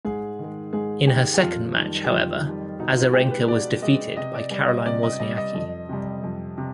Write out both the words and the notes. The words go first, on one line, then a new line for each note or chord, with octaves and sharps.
In her second match, however, Azarenka was defeated by Caroline Wozniacki.
G#2 G#4
D#3 G#3
G#2 G#4
D#3 G#3 G4
G4
F2 F4
D#3 G3
G4
F2 F4
D#3 G3
B2 D#4
F4
G#3 G4
B4
B2 D5
G#3 D#5
C3 D#5
D5
G3 D5
D#5
C3 D5
D#5
G3 D#5
D#5
F2
C3 G3
F2
C3